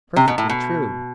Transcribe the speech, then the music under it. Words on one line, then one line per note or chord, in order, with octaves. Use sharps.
"Perfectly true."
C3
B2
A2
B2